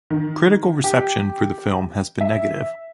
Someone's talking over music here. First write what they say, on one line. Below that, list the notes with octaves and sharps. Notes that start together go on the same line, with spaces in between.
Critical reception for the film has been negative.
D#3
G4
E5